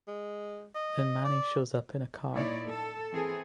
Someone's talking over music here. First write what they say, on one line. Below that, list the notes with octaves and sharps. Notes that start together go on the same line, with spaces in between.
Then Manny shows up in a car.
G#3
D#5
D5
A#2 D#4 E4 C#5 D5
A4
E3 C4 G#4 A4